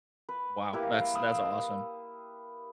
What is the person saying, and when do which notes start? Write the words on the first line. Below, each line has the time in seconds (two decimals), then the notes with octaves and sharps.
Wow. That's that's awesome.
0.29 B4
0.73 A#3 E4 G4 B4
1.15 F5 D#6 E6